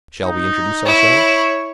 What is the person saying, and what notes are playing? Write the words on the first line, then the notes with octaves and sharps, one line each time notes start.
Shall we introduce ourselves?
D#4
E4 C#5